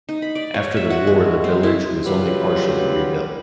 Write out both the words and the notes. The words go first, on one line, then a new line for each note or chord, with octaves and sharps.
After the war, the village was only partially rebuilt.
D#4
B5
D5
C#5
E5
F#4
G#3
C4
E4
C#3 F#3 G3 F4 B4